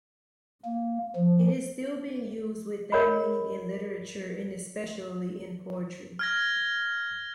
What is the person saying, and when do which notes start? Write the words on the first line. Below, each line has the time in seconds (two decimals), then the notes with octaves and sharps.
It is still being used with that meaning in literature and especially in poetry.
0.65 A#3
1.16 F3
2.92 A#4 C#5 D#5 B5
6.19 F6 G#6 A#6